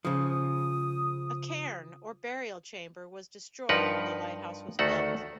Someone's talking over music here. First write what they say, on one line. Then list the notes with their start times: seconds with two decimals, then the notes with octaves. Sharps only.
A cairn or burial chamber was destroyed when the lighthouse was built.
0.05 C#3 F3 D#6
3.69 G2 F3 D#4 A#4 B4 F#5
4.79 D2 D#3 A3 F#4 A4 F#5